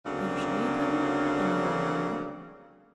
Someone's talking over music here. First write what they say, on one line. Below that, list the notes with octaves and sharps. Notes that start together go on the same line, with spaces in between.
"Are you sure you couldn't?" bending a little nearer.
D2 C#3 F#3 A#3 C4 D4